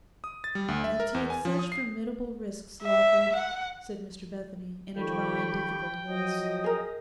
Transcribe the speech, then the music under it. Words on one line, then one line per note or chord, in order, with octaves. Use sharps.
'You take such formidable risks, Lawford,' said Mr Bethany in a dry, difficult voice.
D#6
A6
G3
D2
E5
A#4
E2
G#5
F3
D#6
C7
E5
F#5
D#3 F3 G4 A4 G5 B5 C#6
F3 F#3 D#5 D#6
G#4 A#4